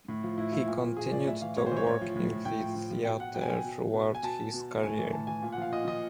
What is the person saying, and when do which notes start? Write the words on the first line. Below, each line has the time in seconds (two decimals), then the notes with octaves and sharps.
He continued to work in the theatre throughout his career.
0.08 A2
0.24 F3
0.38 A2 E4
0.53 F3 E4
0.68 A#2
0.83 F3
0.97 A#2 G#4
1.11 F3 D5
1.26 A2 E5
1.41 E3 F5
1.57 A2 C#5
1.66 C5
1.72 E3 C#5
1.87 A2 C#5
2.01 F3
2.15 A2
2.30 F3
2.45 A2 G5
2.60 F3
2.75 A2
2.90 F3
3.05 B2 G5
3.20 F#5
3.34 B2 G5
3.41 G#5
3.50 G5
3.64 B2
3.94 B2
4.15 G#5
4.23 B2 A5
4.54 B2
4.83 A2 G#5
4.99 E3
5.13 A2 A5
5.27 E3 G#5
5.42 A#2
5.52 F#5
5.57 F3 F5
5.72 A#2 D#5
5.87 F3 D#5